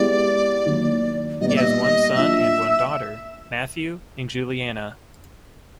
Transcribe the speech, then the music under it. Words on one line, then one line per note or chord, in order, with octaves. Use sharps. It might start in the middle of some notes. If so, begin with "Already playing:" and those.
He has one son and one daughter, Matthew and Julianna.
Already playing: G#3 B3 E4 G4 D5
D#3 F#3 A#3
A#2 G3 B3 D#4 D#5
D5
E5
D#5
F#3 A#3 D4 F4 E5